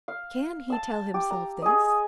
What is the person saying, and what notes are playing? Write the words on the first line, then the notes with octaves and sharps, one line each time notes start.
Can he tell himself this?
F5
A5 E6
G4
A#5
G#4 D#5